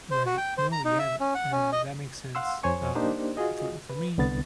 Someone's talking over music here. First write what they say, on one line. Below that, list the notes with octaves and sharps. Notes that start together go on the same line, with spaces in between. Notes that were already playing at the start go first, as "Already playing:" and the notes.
Right. No, yeah. Th uh, that makes sense. Um, for for me,
C5
F#4
G5
C5
A#5
D#4
E5
C#4
F#5
C#4
D#5
F5 F#5 C6 E6
F2 C5 C#5 G#5 C#6
A#3 D4 D#4 G4 C5
F4 F#4 G#4 D#5
B4
C2 D3 B3 A6